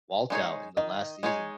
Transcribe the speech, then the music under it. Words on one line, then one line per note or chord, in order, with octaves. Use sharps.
Walt out in the last season.
G#3 D#4 G#4 C#5
D#3 D#5
G#3 D#4 G#4 C#5